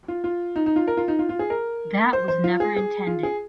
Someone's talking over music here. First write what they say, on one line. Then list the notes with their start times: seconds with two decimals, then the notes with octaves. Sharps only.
That was never intended.
0.08 F4
0.24 F4
0.56 D#4
0.66 D#4
0.76 F4
0.88 A#4
0.97 F4
1.08 D#4
1.19 F4
1.29 F4
1.39 G#4
1.50 A#4
2.13 C5
2.28 C5
2.44 F4
2.60 G#4
2.77 G#4
3.07 F4
3.23 G#4